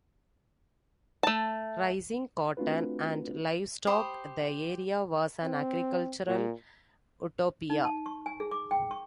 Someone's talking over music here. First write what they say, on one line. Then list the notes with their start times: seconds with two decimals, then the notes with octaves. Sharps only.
Raising cotton, and livestock, the area was an agricultural Utopia.
1.23 A3 A5
2.57 A3 C4 D4 F4 F#4 B4
3.87 G4 C5 B5 D#6
5.43 C4
6.27 A#2
7.70 D#4
7.85 A5
8.06 C#6
8.26 G#5
8.40 G#4
8.51 D6
8.71 G5
8.91 C#6